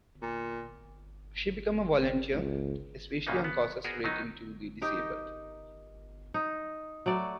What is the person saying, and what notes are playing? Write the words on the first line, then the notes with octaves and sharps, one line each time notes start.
She became a volunteer, especially on causes relating to the disabled.
A#2
C4
C#2
F#2 A#2 C#3 A#3 B3 D#4
B3
B3 F#4 G#4 A#4 C5
D#3 F#3 B3 D#4
D#4 G4 A#4
D#4
F#3 A3 D5